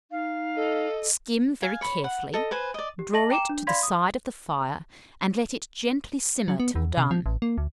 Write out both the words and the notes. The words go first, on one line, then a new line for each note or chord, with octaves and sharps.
Skim very carefully, draw it to the side of the fire, and let it gently simmer till done.
D#4 F5
A4 D#5
F5 G#5
C#5 B5
F#5
A4 D#5
B4 C5 G#5
D5 D#5
G4
A4 D#5 A5 A#6 F#7
G5 A#5 D6 E7
D4
D5 F5 B5 C6 G#6 B6
D#6
F#3
B3
E2
C3
F3
A1
A#3
D2